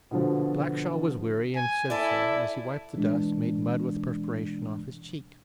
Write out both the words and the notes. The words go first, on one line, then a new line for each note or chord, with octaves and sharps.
Blackshaw was weary, and said so, as he wiped the dust, made mud with perspiration, off his cheeks.
B2 D3 F3
G#5
E4 A4 D5
B2 E3 G#3 D4